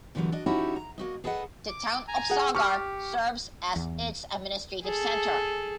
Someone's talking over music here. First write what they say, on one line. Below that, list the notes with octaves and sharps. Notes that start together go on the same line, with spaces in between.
The town of Sagar serves as its administrative center.
A#2 D3 E3 F#3 G3 B3
D4 F#4 D#5
C#4 D#4 E4 F#4 G4 C#5
A#5
A#3 F#4 D#5
G#4 A4 B4 D#5 F#5
D6
G#5 A#5
G#4 F#5
G4 C#6 F6
E2
G#4 A4